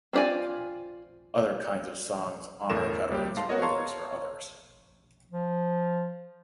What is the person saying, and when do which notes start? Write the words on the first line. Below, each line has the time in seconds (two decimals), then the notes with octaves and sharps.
Other kinds of songs honor veterans, warriors or others.
0.13 C4 F4 C5 D5 G#5
2.70 G1 E2 A2 A4 A#4 E7
3.10 C#2 G3 A#3 G4
3.36 G#2 F5 A5 C6
3.49 B3 F#4 A#4 C#5 D#5
3.62 C#5 F5 A5 A#5 C6 C#6
5.31 F3